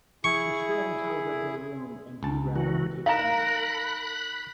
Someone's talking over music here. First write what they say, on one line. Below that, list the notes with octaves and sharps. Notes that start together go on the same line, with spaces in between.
She storms out of the room and B-Rad takes a nap.
E4 G#4 C#6
C#2 A5
E3 F#4
D#4 A#4 F5 A#5 B5 F#6